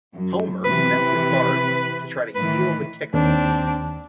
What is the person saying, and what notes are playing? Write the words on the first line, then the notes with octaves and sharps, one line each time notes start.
Homer convinces Bart to try to heal the kicker.
F#2
C3 E3 B4
A2 D#3 E3 B4
D#2 C4 D4